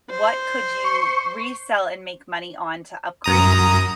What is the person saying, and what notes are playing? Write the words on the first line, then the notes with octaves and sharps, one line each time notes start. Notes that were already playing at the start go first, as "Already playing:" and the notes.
what could you resell and make money on to upgrade,
C5
C#6
F#2 A#5 D#6